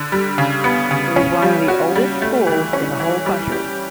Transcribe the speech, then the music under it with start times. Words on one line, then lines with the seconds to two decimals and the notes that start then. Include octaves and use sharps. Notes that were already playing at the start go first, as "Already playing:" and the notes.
It is one of the oldest schools in the whole country.
Already playing: D3
0.12 G3
0.38 C#3
0.64 B3
0.91 C#3
1.16 C#4
1.42 G3
1.68 F#4
1.95 G3
2.22 A3
2.47 E3
2.73 C#4
3.00 E3
3.26 G3
3.52 G4